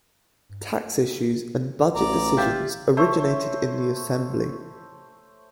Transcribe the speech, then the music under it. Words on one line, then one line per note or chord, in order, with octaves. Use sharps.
Tax issues and budget decisions originated in the assembly.
A1 D5 A#5
F4 G4 E5
A3 C5 C#5 E5